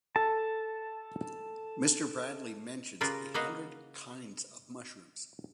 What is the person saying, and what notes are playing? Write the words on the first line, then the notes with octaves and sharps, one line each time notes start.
Mr. Bradley mentions a hundred kinds of mushrooms.
A4 A5
C#3 F4 G4 A#4 B4
A#3 F#4 B4 D#5 F5